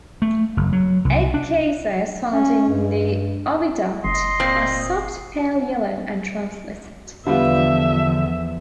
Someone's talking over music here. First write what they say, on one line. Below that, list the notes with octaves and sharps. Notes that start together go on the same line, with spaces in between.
Egg cases found in the oviduct are soft, pale yellow and translucent.
A3
F#1
F#3
C2
D4
C#4
G2
F#1 D#5 C6
A#2 C4
E2 D3 F3 G3 B3 F4 E5